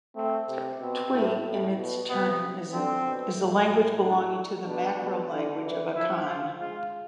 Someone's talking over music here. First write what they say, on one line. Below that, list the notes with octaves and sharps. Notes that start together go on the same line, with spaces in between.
Twi in its turn is a language belonging to the macrolanguage of Akan.
A3 C4
C3
B2 C4
A2
A2
B2
C3 B3
D3 C4
B2
A2
D4
B2 D4
B2
D3
E3
F3 E4
F4
G#3 F4